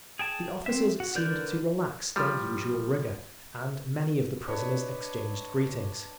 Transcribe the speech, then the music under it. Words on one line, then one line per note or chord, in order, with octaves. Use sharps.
The officers seemed to relax their usual rigor, and many of the prisoners exchanged greetings.
G#4 G5 A5
C4 E5
F#4
D3 A#4 B4 D5 G6
F3 G3
D4 B4 C#5 D#5